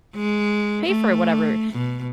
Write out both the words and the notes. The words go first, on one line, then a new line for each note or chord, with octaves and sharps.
pay for whatever
G#3
A3
B2